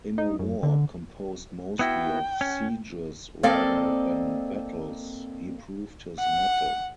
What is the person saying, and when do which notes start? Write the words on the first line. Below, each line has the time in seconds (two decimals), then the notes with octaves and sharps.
In a war composed mostly of sieges rather than battles, he proved his mettle.
0.18 D#4
0.39 F#2
0.63 D3
1.79 B3 E4 F#4 G5
2.41 C#4
3.43 A#3 C4 A4 D5 D#5 F5
6.19 F#5